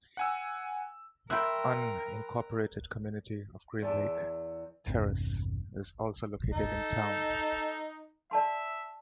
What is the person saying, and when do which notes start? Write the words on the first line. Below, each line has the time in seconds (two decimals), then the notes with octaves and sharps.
The unincorporated community of Green Lake Terrace is also located in the town.
0.17 F#5 G#5 E6
1.30 A#4 E5 G5 B5 C6 F#6
3.82 E2 A5 D6 E6
4.87 A1 E2 G2 C3
6.53 D#4 A4
8.31 D5 E5 A5 C6